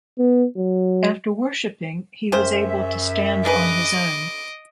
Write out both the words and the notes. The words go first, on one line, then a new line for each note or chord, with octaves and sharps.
After worshiping, he was able to stand on his own.
B3
F#3
F#2 C#3 G4 C5 E5
D4 G#4 B4 D#5 D6